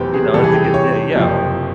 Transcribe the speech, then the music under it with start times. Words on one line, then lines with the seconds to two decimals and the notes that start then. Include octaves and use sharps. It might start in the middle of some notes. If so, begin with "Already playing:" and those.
you know? It's a like a d yeah, uh
Already playing: F1 E2 B2 F#3 G4 B4 C5
0.14 G#4
0.34 E2 C3 E3 G3 A4
0.44 G#4
0.54 G4
0.64 G4
0.74 C#5
1.14 F#1 F2 C3 F3